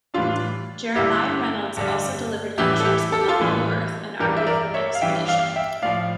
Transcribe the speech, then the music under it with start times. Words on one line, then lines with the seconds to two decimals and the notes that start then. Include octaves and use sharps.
Jeremiah Reynolds also delivered lectures on the "Hollow Earth" and argued for an expedition.
0.14 A2 E3 G3 D4 F4
0.95 G2 D3 G3 E4 G4
1.77 G2 D3 G3
2.58 A2 E3 G3 E4 G4
2.80 A4
2.84 E4 G4
3.12 A4
3.21 G4
3.28 F4 A4
3.40 A2 E3 G3
4.20 G2 E3 G3 G4 A#4
4.37 E5
4.47 A#4 D5
4.74 C#5 E5
4.95 F5
5.01 G2 E3 G3 E5 G5
5.28 D5 F5
5.56 E5 G5
5.82 A2 F3 D5 F5